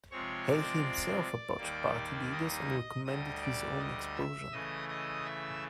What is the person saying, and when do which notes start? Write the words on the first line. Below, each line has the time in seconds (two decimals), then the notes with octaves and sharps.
Hay himself approached Party leaders and recommended his own expulsion.
0.11 C3 F3 G#3 C4 C#5 C#6
0.48 D5 D6
1.58 D#2 D#3 G3 A#3
2.32 D#5 D#6
3.05 D2 D3 G3 D#5 D#6
3.41 D5 D6
3.79 D#5 D#6
4.15 E5 E6
4.52 C#3 E3 A3 D#5 D#6
4.88 D#5 D#6
5.25 E5 E6